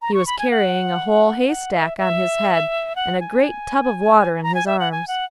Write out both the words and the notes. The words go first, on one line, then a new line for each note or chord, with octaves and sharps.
He was carrying a whole haystack on his head and a great tub of water in his arms.
A#5
C#6
B5
G#5
F#5
F#5
E5
E5
F#5
G#5
A#5
G#5
E5
F#5
G#5
F#5